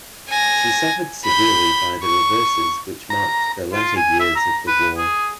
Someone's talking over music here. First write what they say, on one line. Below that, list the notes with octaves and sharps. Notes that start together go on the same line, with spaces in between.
She suffered severely by the reverses which marked the latter years of the war.
G#5 A#6
B5 G6
C#6
A#5
F4
G#5
E5
A#5
B4
G#4